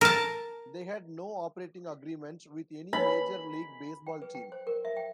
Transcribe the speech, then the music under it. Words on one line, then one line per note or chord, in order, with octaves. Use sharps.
They had no operating agreement with any Major League Baseball team.
A#4 A5
B5
G5
B4
G5
C5
A#4
E5
G5